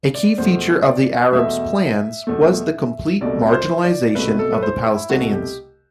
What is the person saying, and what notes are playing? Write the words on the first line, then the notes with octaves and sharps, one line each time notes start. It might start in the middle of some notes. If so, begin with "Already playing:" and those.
A key feature of the Arabs' plans was the complete marginalization of the Palestinians...
D5
E2 B2 A3 C5
D5
E2 B2 A3 E5
E2 B2 A3
C2 B2 A3 D5
C5
D5
C2 B2 A3 B4
A4
B4
C5
E4
C2 B2 A3 F#4
G4